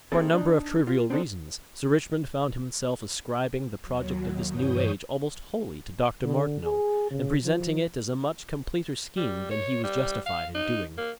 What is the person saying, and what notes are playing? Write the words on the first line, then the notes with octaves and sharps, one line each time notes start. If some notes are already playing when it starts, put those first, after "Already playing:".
For a number of trivial reasons Sir Richmond found himself ascribing the project of this New Age almost wholly to Dr. Martineau, and presenting it as a much completer scheme than he was justified in doing.
A#3 C4 D#4 E4 G#4 A4
D4 D#4
F4
C4 D4 D#4 F#4 A4 C5
D#2 F#3
G2 E3 C#5 D#6 G6
D3
G#4
C#3
F3
G3
C#5
G3
F5
D#4
A#3